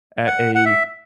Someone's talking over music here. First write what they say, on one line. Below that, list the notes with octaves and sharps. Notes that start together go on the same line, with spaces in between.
at a,
F#5
F#5
E5